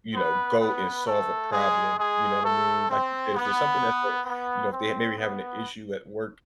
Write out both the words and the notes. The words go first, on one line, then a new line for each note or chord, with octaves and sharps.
you know, go and solve a problem, you know what I mean, like you said," if it's something that's uh," you know, if they're maybe having an issue at work,
B3 B4
B3 B4
A3 A4
G#3 G#4
G#3 G#4
A3 A4
C4
B3
B3
C4
B3